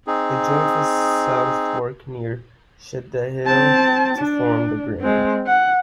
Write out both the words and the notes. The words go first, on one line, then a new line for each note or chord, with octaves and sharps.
It joins the South Fork near Shadehill to form the Grand.
C4 D#4 G#4
C4 A5
D4
G#3 C4
F#5